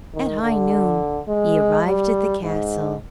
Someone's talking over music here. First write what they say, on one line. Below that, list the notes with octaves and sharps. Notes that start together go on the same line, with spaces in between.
At high noon he arrived at the castle.
D#3
D3
G#3
G3
G#2